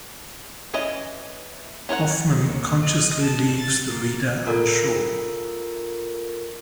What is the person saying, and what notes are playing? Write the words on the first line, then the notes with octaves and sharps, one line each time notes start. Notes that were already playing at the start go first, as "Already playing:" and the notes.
Hoffman consciously leaves the reader unsure.
E3 C#4 E4 D#5
C#4 A#4 C#5 F#5
D#2
D#5
A5
A6
A#3
F4 A4 A#4